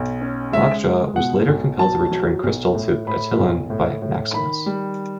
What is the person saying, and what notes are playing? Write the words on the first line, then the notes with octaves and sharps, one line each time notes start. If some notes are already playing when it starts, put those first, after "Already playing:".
Lockjaw was later compelled to return Crystal to Attilan by Maximus.
Already playing: B1
C#4
G#3 E5
G#3
B2 F#5
B1
F#3 A5
F#3
B1
A2
A2 B5
B1
A2
A2
D#3 B5
G3